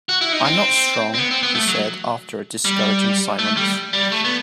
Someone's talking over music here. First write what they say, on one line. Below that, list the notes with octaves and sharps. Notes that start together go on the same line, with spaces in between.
"I'm not strong," he said after a discouraging silence.
F#4
E4
D#4
C4
C4
B3
C4
B3
A3
F#3
G3
A3
G3
G3
A3
B3